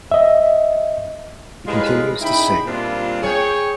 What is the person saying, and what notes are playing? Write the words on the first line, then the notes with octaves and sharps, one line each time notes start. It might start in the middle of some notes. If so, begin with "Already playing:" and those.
He continues to sing.
D#5 E5
A2 G3 G#3 F4 A#4 B4
C#3 D#4 E4 G5 B5
A#2 G3 C4 D4 F4
G#4 C#5 G5